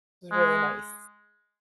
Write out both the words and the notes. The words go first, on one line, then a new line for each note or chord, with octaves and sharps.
really nice,
G#3